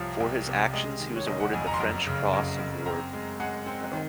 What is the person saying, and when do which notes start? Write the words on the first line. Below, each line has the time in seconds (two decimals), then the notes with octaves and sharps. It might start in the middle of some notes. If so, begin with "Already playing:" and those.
For his actions, he was awarded the French Cross of War medal.
Already playing: C2 F3 C#5
0.20 C2
0.47 C3
0.74 G#3 D#5
1.00 D#3
1.16 C#5
1.27 F#1 D#5
1.40 F#5
1.53 F2 G#5
1.67 A#5
1.74 C6
1.80 F#2 A#5
2.07 C#3
2.33 F#2
2.60 F#2
2.86 C4 A#5
3.13 G#3
3.40 G#3 F#5
3.66 C4
3.93 D#3